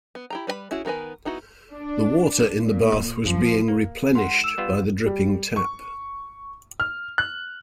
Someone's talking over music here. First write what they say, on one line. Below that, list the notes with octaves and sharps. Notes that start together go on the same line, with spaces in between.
The water in the bath was being replenished by the dripping tap.
B3
E4 G4 A#5
G3 B4 C#5 B5
C#4 E4 F#4 G#4
D#3 B3 A#4 B4 G#5
B3 D#4 E4 F#4
D4
A#2
F3
A#3
G#2 F#5 C6
E6 E7
G3 B3 F4
G3
C#6
F6
F#6